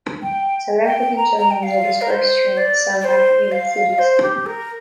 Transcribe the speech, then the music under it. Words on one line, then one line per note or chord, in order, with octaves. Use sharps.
South African Chinese are dispersed throughout South African cities.
G5
G5
A#5
A#5
G5
F5
A#4
C5
D5
D5
C5
F5
C5
G4
A#4